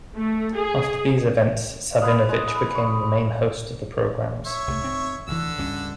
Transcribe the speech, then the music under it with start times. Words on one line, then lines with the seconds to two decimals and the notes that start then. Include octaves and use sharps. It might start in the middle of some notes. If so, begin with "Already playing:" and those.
After these events, Savinovich became the main host of the programs.
0.15 A3
0.54 G#4
2.02 E4 B4 F5 D#6
2.29 G#3
2.47 B5
2.75 E4 C#6
4.46 C#5 E5
4.68 C2 A3
4.81 G#2 C4
5.28 D2 D3 E3 E6
5.58 C#2 G2 C#4